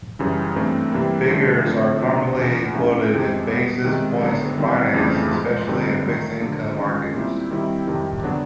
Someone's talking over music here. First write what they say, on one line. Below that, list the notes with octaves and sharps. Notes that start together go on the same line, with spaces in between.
Figures are commonly quoted in basis points in finance, especially in fixed income markets.
F#2 C#3 E3 G3
G2 E3 A3 C4
C3 E3 G3 A#3
G2 D3 F3 A3
D3 F3 A3 C4
B2 F#3 A#3 D4 F#4
E2 C#3 E3
C3 F3 A3 C#4 E4
F2 C3 D#3 G#3
B2 G3 B3
C3 D#3 G#3
D3 F#3 B3 D4
D#3 G3 C4 E4
F2 C#3 E3 A3 C4
G#2 F3 G#3
G2 D3 G3 C4 D#4
D#3 F#3 A3
G2 D3 F3 A#3
D#3 G#3 C#4 F4
A#2 G3 C4 E4
D#3 G3 C4 E4
F2 C3 D#3 G3
D3 F#3 B3 D4 F#4